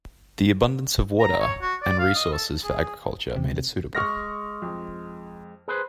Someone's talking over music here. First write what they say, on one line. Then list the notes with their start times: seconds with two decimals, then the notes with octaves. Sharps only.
The abundance of water and resources for agriculture made it suitable.
1.20 A#5
1.40 C#5
1.61 F#4
1.82 D5
1.99 F5
2.15 D#5
2.33 A4
2.64 G#4
3.36 C3
3.95 G#3 C#6 F6 A#6
4.62 F2
5.68 G#4 B4 C5